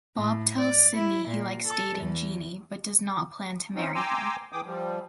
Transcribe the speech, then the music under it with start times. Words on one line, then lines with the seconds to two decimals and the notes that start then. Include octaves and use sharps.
Bob tells Sidney he likes dating Jeanie, but does not plan to marry her.
0.17 A2
0.58 D5
0.96 E4
1.28 A#2
1.67 A4
1.98 E2
3.75 C4 C#4 D#4
3.95 G5 G#5 A#5 C6 D6 E6
4.52 E3 G#4 G5 D6 D#6
4.66 F3 G3